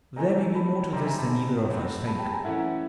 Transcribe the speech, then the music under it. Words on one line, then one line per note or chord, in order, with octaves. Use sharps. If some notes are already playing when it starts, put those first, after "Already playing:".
There may be more to this than either of us think.
E3 A3 C4 D#4 G#5 A#5
A5 B5
C3 D#3 G3 C4 D#4 A#5 C6
G#5 A#5
A5 B5
F#3 A3 C4
A5 B5
G5 A5
G#5 A#5
E3 A3 C#4 E4 E5 F#5